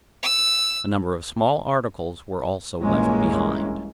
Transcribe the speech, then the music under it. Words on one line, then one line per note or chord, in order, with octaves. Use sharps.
A number of small articles were also left behind.
E6
A#1 G2 E3 G#3 A#3 C#4